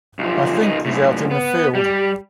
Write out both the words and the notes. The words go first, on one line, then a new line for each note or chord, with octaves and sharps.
I think he's out in the field.
B1 F3
C#2 D#4
F#2 A2
B3
G3